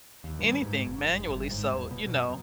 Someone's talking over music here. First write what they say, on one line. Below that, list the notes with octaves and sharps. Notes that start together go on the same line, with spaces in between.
anything manually, so, you know.
D#2
G2
G#2
F#1
G1
G1
G#2
D#1
B2
F#2